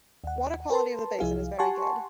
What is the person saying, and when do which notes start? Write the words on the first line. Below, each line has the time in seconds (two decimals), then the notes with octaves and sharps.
Water quality of the basin is very good.
0.24 D#2 F#5
0.71 A#4 B4 A5 C6
1.20 C2 F3 E4 G#4 F5
1.59 G4 F#5 G#5 A5 C6 C#6